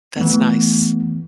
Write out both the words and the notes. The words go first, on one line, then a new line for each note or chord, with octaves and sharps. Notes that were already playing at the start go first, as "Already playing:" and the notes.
That's nice,
E3 A3 B3